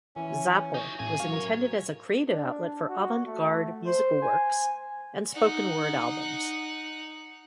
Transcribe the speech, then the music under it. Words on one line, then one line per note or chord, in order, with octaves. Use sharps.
Zapple was intended as a creative outlet for avant-garde musical works and spoken-word albums.
E3 C#4
D#4 F#4
A1 G#4 G#5
F#3 C#5 F5
A#4
D4
F#4
A3
C5
G#5
D#4 F#5